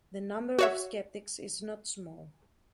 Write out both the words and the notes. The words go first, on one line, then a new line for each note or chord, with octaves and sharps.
The number of skeptics is not small.
F#4 C#5 E5